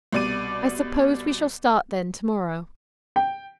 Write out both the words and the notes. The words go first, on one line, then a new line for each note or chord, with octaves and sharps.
"I suppose we shall start, then, to-morrow."
C2 B2 D5 D6 D#7
G5